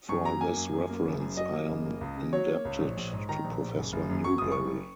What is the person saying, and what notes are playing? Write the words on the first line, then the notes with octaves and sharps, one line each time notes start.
For this reference I am indebted to Professor Newberry.
F#2 C#6
F#3 A#5
A#3 G#5
F#2
F#2
A#3
F#1
F#2
F#3 D#5
A#3
F#1
A#3
C#2
C#3
F#3 C#5
A#3
C#2
A#1
A#1
G#2
D#3 A#5
A#1
A#1
F#1
F#1
F#2
F#3 C#6
F#1 D#6
C#6
F#1